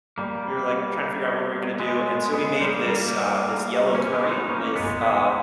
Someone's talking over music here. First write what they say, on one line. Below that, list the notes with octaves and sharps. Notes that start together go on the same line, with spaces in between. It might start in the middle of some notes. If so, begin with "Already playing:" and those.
we were like we're trying to figure out what we were gonna do, and so we made this, uh, this yellow curry with, uh,
G3 A#3
G#3 B3
G#3 B3
G3 A#3
G3 A#3
A#3 C#4
G#3 B3
B3 D#4
A#3 C#4
G#3 B3
G#3 B3